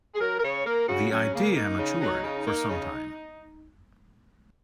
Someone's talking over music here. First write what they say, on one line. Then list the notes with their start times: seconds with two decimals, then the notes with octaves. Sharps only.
The idea matured for some time.
0.15 G#4
0.20 F#3 A#4
0.39 A#4
0.43 C#3 C#5
0.65 A#3 A#4
0.88 C#3 F#4
1.10 F#3 C#4
1.33 C#3 A#3
1.56 A#3 D#4
1.79 C#3
2.01 F#3
2.24 C#3
2.46 A#3
2.69 C#3